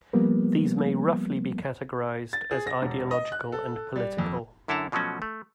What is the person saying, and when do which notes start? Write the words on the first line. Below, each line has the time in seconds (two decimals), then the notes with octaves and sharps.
These may roughly be categorized as ideological and political.
0.13 F3 G3 A#3 B3
2.33 A6
2.51 G#4
2.67 A#6
2.82 E1
3.11 D#5
3.32 F#6
3.52 A4
3.76 A4
3.96 G3
4.18 F2
4.68 F#2 D3 E4 A4 A5 A#5
4.92 B2 F3 F#3 A3 C#4 F#4
5.22 A3